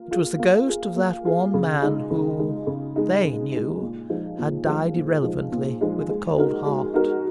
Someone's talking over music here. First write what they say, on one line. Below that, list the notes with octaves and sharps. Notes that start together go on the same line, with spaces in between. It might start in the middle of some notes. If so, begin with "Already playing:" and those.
It was the ghost of that one man who--THEY knew--had died irrelevantly, with a cold heart.
Already playing: A#3 F4
F4 G#4
A#3
F4 G#4
A#3
F4 G#4
C#3
G#3 D#4
C#3
G#3 D#4
C#3
G#3 D#4
C#3
G#3 D#4
A#2
F3 G#3 D#4
A#2
F3 G#3 D#4
A#2
F3 G#3 D#4
A#2
F3 G#3 D#4
G#3
D#4 F#4 A#4
G#3
D#4 F#4 A#4